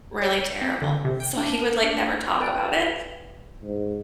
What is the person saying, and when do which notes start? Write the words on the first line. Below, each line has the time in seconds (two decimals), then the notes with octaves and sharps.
really terrible. So he would, like never talk about it,
0.22 C#5
0.62 C4
0.82 D3
1.05 C3
1.20 G5
1.37 D4
1.59 A#4
1.84 D4
2.40 B4 D5 G5
3.63 G#2